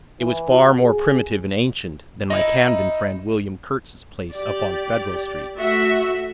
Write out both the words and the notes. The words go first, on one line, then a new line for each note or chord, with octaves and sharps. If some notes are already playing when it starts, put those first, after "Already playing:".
It was far more primitive and ancient than my Camden friend William Kurtz's place up on Federal street.
E3
F#4
G#4
D#4 E4
G4 D5
A3 F#4 E5